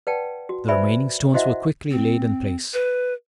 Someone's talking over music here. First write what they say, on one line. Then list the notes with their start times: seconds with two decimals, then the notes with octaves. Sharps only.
The remaining stones were quickly laid in place.
0.07 B4 D5 F#5 G5 A5
0.49 F#4
0.68 B4 C5 D5 E5 G#5 B5
1.34 E4 F#4 C5 D#5 E5 F#5
1.91 C4
2.74 B4